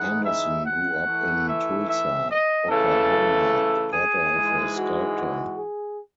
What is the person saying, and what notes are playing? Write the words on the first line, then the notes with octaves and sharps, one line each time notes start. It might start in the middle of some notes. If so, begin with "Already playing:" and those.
Anderson grew up in Tulsa, Oklahoma, the daughter of a sculptor.
Already playing: E3 G#3 D#4 F#5
E5
F#5
E3 A3 E4
E5
E5
D#5
C#3 E3 A3 A4
G#4
G#2 E3 G#3
F#4
F#4
G#4